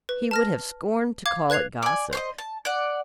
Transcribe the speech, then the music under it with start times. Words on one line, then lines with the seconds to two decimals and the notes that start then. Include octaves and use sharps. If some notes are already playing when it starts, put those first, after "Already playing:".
He would have scorned to call it gossip.
0.09 B4
0.31 A5 F6 A#6
1.26 F5 D6 G#6
1.50 B4 F#6 G#6 C7 F7
1.82 D5 G#5
2.13 C5 C#5 D#5
2.38 A5
2.65 D5 F#5